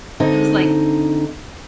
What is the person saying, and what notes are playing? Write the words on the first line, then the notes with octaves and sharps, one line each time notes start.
It was like
D3 C4 D#4